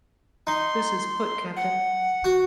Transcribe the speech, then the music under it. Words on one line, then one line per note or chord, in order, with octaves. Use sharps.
This put Cpt.
D#4 C6
F#5
F#4